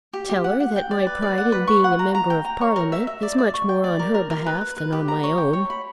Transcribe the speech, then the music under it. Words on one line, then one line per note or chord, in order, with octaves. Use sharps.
Tell her that my pride in being a member of Parliament is much more on her behalf than on my own.
G4
G4
F#5
F#5
G5
D5
B4
D5
F#5
B4
C#6
F#5
A#5
A#5
G5
A#5
C#5
A#4
E5
E5
D5
D5
C#6
G5
D5
A#4
A#4
A#4
B4
B4
B4
G4
A#5
C#5
G5
C#5
B5